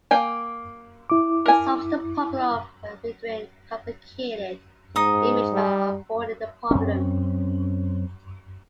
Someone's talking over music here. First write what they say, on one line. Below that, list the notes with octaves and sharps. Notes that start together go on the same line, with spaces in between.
It solves the problem of rendering a complicated image by avoiding the problem.
A#3 G5 G#5
E4 D6
A#4 G#5
G#2 D#4 D#6
G3
F#2 C4 C#4